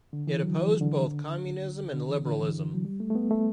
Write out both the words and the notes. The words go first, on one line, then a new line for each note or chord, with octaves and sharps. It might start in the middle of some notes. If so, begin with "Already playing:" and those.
It opposed both communism and liberalism.
D3
E3
F#3
E3
D3
D3
E3
D3
E3
F#3
G3
A3
A3
B3
A3